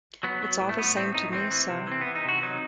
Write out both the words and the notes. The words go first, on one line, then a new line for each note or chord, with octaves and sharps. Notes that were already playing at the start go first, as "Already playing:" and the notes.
It is all the same to me, sir.
F#3 B3
F#3
A2
A3
A2 B3
A2 C4
A2 D#4
E3 C4
E3
C3
E3 C4
B3
E3
D#4
C3 F#4
F#3 D#4